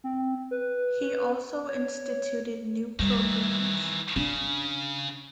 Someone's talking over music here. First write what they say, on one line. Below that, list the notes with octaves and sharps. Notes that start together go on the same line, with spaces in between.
He also instituted new programs.
C4
B4
C#5
D#3 E3 G3
C#3 D4